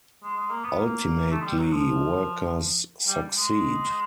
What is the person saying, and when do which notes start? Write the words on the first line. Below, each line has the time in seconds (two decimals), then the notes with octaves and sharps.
Ultimately, workers succeed.
0.23 G#3
0.37 G#3
0.50 A#3
0.64 B3
0.78 A#3
1.31 A3
1.41 G#3
1.46 G3
1.59 F#3
1.73 F3
3.08 G3
3.36 G#3